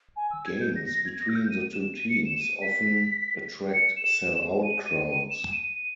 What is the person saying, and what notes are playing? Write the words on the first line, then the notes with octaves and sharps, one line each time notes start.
Games between the two teams often attract sell-out crowds.
G#5
E6
G#6
G6
A#6
A#6
G#6
A#6
E6
G6
D#7
E7
D#7
C#7
E7
D#7
B6
C#7
E7
D#7
D#7
D#7
E7
E7
D#7